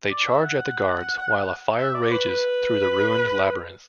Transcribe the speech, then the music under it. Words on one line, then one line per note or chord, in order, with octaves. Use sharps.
They charge at the guards while a fire rages through the ruined Labyrinth.
D5
E5
F#5
E5
D5
B4
B4